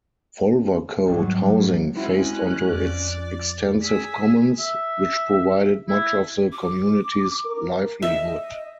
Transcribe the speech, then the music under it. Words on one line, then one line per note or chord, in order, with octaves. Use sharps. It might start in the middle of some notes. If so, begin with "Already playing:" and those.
Wolvercote housing faced onto its extensive commons, which provided much of the community's livelihood.
G#1 F#3 G3
G#3 C4 C#4 E4 F#4 F#6
F2 D5
G#4 E6 B6
E5
E4
D6
A#4
D#5 E5